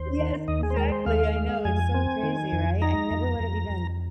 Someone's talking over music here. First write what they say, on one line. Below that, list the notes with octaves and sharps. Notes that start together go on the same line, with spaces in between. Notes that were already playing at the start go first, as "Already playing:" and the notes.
Yes, exactly, I know, it's so crazy, right? I never would've even
Already playing: D#2 C5
D#3
D#2 D#5
G#4
C5
G#3 A#4
C5
D#2 F5
G#3
F2 G#5
C4
D#3
F2
D#4 A#5
F2
F2
F2